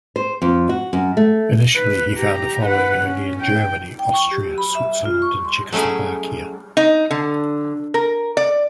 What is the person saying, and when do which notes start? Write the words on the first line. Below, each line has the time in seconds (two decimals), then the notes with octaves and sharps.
Initially he found a following only in Germany, Austria, Switzerland and Czechoslovakia.
0.16 C5
0.42 F2
0.69 F#4
0.93 F#2
1.17 A3
1.75 B4
2.17 G4 A#5
2.65 B4 F#5
3.06 C#4
3.41 G5
3.99 G5
4.14 C#6
4.31 G4
4.58 B5
4.75 E5
5.05 F4
5.22 C#6
5.45 C6
5.72 F#3 A3 C#4 E4 G#4
6.77 D#4
7.11 D3
7.94 A#4
8.37 D5